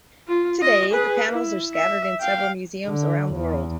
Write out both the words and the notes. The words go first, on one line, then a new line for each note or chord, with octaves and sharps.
Today the panels are scattered in several museums around the world.
F4
F4 D#5
G#4 B4
E4
E5
F5 G5
D3
E2